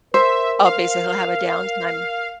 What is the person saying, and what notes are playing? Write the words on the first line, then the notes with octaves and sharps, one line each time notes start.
Oh, basically I'll have a downtime.
A#4 C5 E5
F5